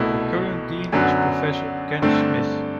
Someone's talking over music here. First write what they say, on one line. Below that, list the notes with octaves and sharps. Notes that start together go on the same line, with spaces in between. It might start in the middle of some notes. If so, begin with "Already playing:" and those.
The current dean is Professor Ken Smith.
Already playing: C2 B2 A3 E4
F#2 D3 F#3 B3
G2 D3 A3 C4